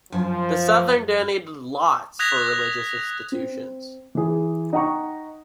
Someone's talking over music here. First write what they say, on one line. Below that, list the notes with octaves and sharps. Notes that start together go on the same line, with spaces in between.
The Southern donated lots for religious institutions.
F#2 F3
D#6 F#6 G#6 A#6 B6 F7
C4
E3 G#4
D#4 D#5 F#5 G5 A#5 C#6